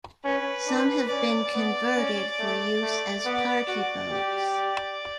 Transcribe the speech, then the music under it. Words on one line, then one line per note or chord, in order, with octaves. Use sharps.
Some have been converted for use as party boats.
C#4 B4
D4
C#4 D5
B3
C#4
A3
A3
B3
F#4
G4
D5